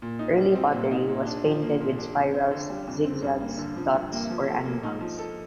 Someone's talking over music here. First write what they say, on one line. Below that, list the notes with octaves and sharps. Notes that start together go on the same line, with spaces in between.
Early pottery was painted with spirals, zigzags, dots, or animals.
A#2
D#4
G3
C4
A#2
D#4
A#2
D4
F3
A#3
A#2
D4
F2
C4
D3
G3
F2
C4
G2
A#3
D3
F3
G2
A#3
F3
A4
A#3
D#4
F3
A4